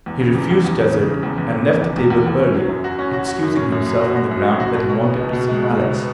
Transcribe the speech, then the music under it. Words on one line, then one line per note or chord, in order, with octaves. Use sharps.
He refused dessert, and left the table early, excusing himself on the ground that he wanted to see Alex.
E2
C#3
E2
E2
E2
E2
C#3
C#3
E2
E2
E2
E2
E2
E2
E2
E2
C#4
F#3
F#2
F#4
C#4
F#4
F#4
F#2
C#4
F#2
F#2
F#4
F#4
F#2
F#3
F#4
B2
B2
B3
C#2
B2
G#3
B2
C#2
B3